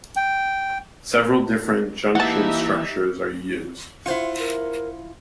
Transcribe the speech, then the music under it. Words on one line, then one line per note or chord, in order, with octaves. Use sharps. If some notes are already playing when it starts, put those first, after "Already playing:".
Several different junction structures are used.
G5
E3 A#3 D#4 G4 E5 F#5 A5
E4 F4 C5 F#5 C#6
A#4